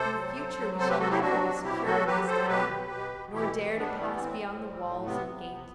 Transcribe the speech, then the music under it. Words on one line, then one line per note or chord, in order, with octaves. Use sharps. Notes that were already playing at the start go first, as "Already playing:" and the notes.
In the future we shall never be secure in this town, nor dare to pass beyond the walls and gate.
Already playing: C3 A4 C5
F#3
F#3
F#3
C3 A4 C5
G4 B4
F#3 F#4 A4
E4 G4
F#3 D4 F#4
C3
B2 E4 G4
F#3 F#4 A4
F#3 G4 B4
F#3 A4 C5
B2 G4 B4
B2
B2
B2
E3 E4 G4
A2
G3 B3 D4
E3 B3
B3
A2 C4
A2
G3
A2
C3 B3
C3
C3